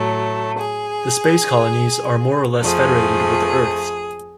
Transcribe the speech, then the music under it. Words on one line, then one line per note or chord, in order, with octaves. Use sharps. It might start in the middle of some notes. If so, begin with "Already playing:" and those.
The space colonies are more or less federated with the Earth.
Already playing: A2 F#3 A3
G#4
F2 F3 A3 G#4